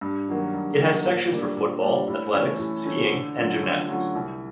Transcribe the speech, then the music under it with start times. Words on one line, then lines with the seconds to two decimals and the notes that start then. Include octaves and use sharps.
It has sections for football, athletics, skiing and gymnastics.
0.01 G2
0.28 D#3 F#3 A#3
0.54 G2
0.79 D#3 F#3 A#3
1.05 A#2
1.31 G3 A#3 D4
1.57 A#2
1.82 G3 A#3 D4
2.08 A2
2.34 E3 A3 C#4
2.59 A2
2.85 E3 A3 C#4
3.12 D3
3.37 F#3 A3 C#4 F4
3.62 D3
3.88 F#3 A3 C#4 F4
4.15 C2